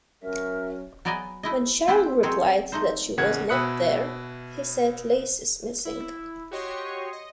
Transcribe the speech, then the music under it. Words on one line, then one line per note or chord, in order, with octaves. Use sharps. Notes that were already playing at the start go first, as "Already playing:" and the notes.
When Sharon replied that she was not there, he said, Laci's missing.
F#3 C#4 A#4 E5
F#3 B3 D5 D#5 G#5 A#5
A3 E4 D#5
C4 E4 F4 G4 B4 C5
F#3 C4 C#4 G#4 C5 C#5
A3 D#4 C5
A1 C#3 F#5 G#6
B2 E5 B5 D#6 F#6 C#7
E4
F#4 G4 C#5 D#5 C6 C#6
D#5